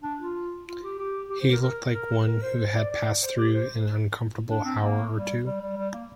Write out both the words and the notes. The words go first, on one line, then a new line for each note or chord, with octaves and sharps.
He looked like one who had passed through an uncomfortable hour or two.
D4
F4
F4
G4
G4
G4
C5
A#4
A#4
A#4
A#4
C5
C5
D5
D5
C5
G4
C5
D4
C4
A#3
G3
G3
G3
G3
A#3